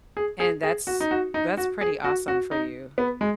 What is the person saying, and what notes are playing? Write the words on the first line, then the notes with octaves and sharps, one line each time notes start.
And that's that's pretty awesome for you.
G#4
G#4
G#4
F#4
D#4
F#4
D#4
F#4
G#4
F#4
F#4
D#4
B3
G#3